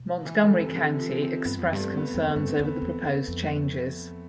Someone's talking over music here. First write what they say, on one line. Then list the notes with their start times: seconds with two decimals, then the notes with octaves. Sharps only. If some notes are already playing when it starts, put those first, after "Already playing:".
Montgomery County expressed concerns over the proposed changes.
Already playing: B2
0.25 E3
0.42 D3
0.59 C3
0.70 C3
0.76 D3
0.99 F3
1.22 C4
1.45 G2 B3
1.59 F2 C4
1.73 G2
1.79 A3
1.97 B3
2.14 F2 C4
2.30 A3
2.36 G2
2.48 C4
2.59 E2
2.65 B3
2.82 E2
3.04 E2
3.28 F2